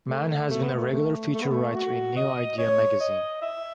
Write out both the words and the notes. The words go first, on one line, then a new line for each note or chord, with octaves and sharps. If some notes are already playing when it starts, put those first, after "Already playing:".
Mann has been a regular feature writer in "New Idea" magazine.
A3
A3
B3
A3
A3
A3
B3
A3
F#4
D#5
C#5
D#5
E5